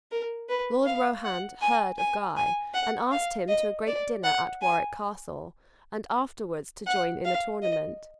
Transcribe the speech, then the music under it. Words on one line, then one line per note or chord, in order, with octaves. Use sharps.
Lord Rohand heard of Guy and asked him to a great dinner at Warwick Castle and afterwards to join in a tournament.
A#4
B4
F5
F#5
G#5
G#5
G#5
F#5
F5
D#5
D5
F#5
G#5
F#5
F5
D#5